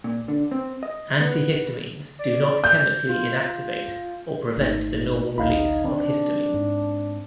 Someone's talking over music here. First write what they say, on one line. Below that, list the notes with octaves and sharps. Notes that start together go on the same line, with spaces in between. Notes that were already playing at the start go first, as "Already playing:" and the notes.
Antihistamines do not chemically inactivate or prevent the normal release of histamine.
A#2
D3
C4
D#5
B3
D5
G6
F4
G#1 A3 D#4
A1 D2 D#4 F5 B5
D#3 C4 D4
G#2